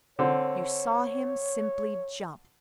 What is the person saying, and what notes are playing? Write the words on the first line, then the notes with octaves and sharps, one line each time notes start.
You saw him simply jump.
D3 C4 C#5